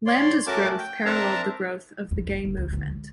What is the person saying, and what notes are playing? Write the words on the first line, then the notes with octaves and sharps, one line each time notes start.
Lambda's growth paralleled the growth of the gay movement.
C#5 D5 C6
A3 C#4 F#4 A#4 A5 D6
G5
C4 D4 A#4 E5 A5 A#5
F2
G1
F#1
C#2
D2 C#4
C#2